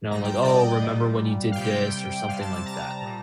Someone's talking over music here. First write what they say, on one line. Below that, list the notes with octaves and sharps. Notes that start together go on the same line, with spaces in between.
you know, like, "Oh, remember when you did this," or something like that.
A#2 G3 A#5
G5
G5
D5
D#5
D#5
A#2 G3
F5
C3 G3 G5
C3 G3 F5
A5
A5
A#5
A#2 G3